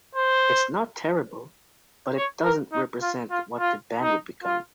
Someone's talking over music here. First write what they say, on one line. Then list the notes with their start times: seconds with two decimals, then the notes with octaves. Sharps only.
It's not terrible, but it doesn't represent what the band would become.
0.15 C5
2.16 C#5
2.44 A#4
2.72 D#4
3.02 F4
3.31 F4
3.59 F4
4.02 D#4
4.44 F4